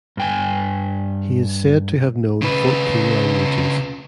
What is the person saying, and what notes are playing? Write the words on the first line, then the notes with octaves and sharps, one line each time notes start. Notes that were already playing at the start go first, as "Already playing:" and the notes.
He is said to have known fourteen languages.
G2 G5 G#5
C#3 B4